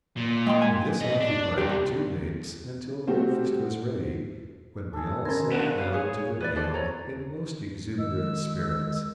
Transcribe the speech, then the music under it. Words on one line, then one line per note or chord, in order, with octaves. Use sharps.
This occupied the two mates until breakfast was ready, when we all sat down to the meal in most exuberant spirits.
A#2
G#3 G5 C6
G#5
A#2 D#5
D4
C2 G4
G3 A3 C4 F#4 G4
G#4 A4
D#3 C#4 A#4 C5
B2 D4
B4 F5
G#4 C#5
C#5
B4 C#5 D5
A4 C5 D5
C#5 A#5
D#3 G#3 E6